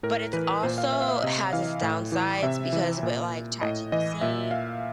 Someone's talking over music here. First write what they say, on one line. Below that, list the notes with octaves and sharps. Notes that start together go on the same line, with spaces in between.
but it's also has its downsides because with, like, ChatGPT
A2 A#4
E3 B4
A#2 C5
F5
E5
F5
E5
C3 D#5
E3 F5
A2
E3
C3 E5
E3
A#2
A2 D#5
E3 D#5
A#2 E5
F5